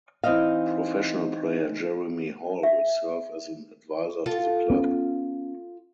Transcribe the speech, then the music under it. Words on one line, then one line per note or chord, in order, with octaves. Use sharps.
Professional player Jeremy Hall will serve as an advisor to the club.
E3 C4 D#4 D#5 F5
E5
F4 A4
B3 C#4